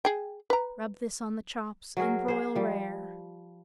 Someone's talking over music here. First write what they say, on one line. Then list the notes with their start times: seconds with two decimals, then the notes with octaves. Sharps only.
Rub this on the chops and broil rare.
0.05 G#4 G5
0.50 B4 A#5
1.97 F#3 F#4 G#4 A#4
2.28 G#4 C5
2.55 F3 G3